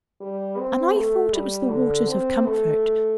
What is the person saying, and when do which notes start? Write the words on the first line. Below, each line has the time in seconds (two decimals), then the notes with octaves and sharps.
And I thought it was the waters of comfort.
0.21 G3
0.58 C4
0.95 A3
1.33 G3
1.70 D3
2.08 C4
2.46 A3